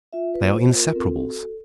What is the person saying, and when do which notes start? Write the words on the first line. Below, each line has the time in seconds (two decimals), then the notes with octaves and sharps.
They are inseparables.
0.13 F4 E5
0.34 B4
0.41 A#3
0.55 C5
0.68 F4
0.76 A#4
0.87 A#4
0.95 C4 A4
1.23 F#4